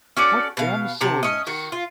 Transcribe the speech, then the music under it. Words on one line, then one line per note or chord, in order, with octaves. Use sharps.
What damn silliness!
C#4 F#4 A4 D5
B2 F5
C3 A5 A#5
C#4 D#5
D#3 F#4
F4